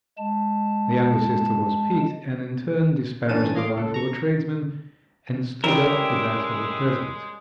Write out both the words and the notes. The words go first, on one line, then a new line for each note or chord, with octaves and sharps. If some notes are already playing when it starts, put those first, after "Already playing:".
The younger sister was piqued, and in turn disparaged the life of a tradesman, and stood up for that of a peasant.
G#3 A5
G1 E3 C#4 D4 A5 D#7
C#5 D#5 F5 C6 D6
C#2 A4
A#5 C#6
G3 G#3 C#4 E4 A#4 G5